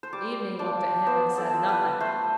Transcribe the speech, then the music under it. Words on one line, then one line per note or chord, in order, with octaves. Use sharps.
Evening looked at him and said nothing.
C5
G3 D5
D4 F4 D5
B3 C5
A4
F4
B4
A3 C5